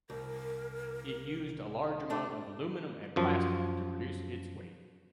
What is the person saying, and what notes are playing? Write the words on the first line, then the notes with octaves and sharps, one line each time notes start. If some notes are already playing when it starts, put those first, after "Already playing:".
It used a large amount of aluminum and plastic to reduce its weight.
C2 A#4
A3 D4
F#2 F3